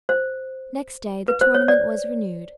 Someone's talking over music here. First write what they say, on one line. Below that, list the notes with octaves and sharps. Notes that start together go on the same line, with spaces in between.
Next day the tournament was renewed.
C5
B4
C5
C#5
D5